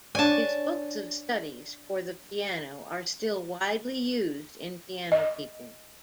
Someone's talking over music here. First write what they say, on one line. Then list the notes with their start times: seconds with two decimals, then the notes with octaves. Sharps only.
His books of studies for the piano are still widely used in piano teaching.
0.15 D4 C#5 D5 G#5 A5
5.12 D#5